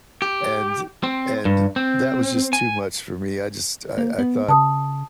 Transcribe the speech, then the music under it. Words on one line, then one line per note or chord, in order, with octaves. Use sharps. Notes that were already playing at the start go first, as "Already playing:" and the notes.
and and that was just too much for me, I just I I thought
G4
C4
G2
C4
G#5
A#3
B3
C#3 A5 D#6